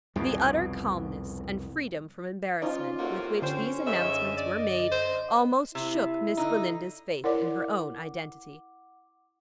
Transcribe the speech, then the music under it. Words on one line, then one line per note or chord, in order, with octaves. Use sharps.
The utter calmness, and freedom from embarrassment, with which these announcements were made, almost shook Miss Belinda's faith in her own identity.
C2 F2 B2
F3 C#4 D#4 F4 D5
A2 C3 A#3 F#4
F#2 D3 C4 C#4 C5
G#2 D#5 E5
D5
C5
C3 E4
D3 D#4
E4 A#4 C#5 D5 F#5 D6